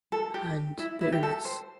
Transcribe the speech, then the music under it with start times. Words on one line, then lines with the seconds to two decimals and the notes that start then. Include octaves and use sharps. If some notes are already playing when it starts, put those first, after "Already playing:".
And bitterness.
0.12 A4
0.34 G4
0.79 E4
1.01 E4
1.12 G4
1.23 A4
1.45 C5